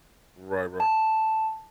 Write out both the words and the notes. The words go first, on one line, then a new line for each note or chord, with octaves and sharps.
Right, right.
A5